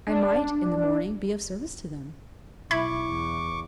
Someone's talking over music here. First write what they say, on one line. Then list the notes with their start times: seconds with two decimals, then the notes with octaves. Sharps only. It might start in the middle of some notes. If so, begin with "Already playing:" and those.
I might, in the morning, be of service to them.
0.07 D4
2.71 B1 E4 E5 B5 C#6 D6 G#6
3.08 E2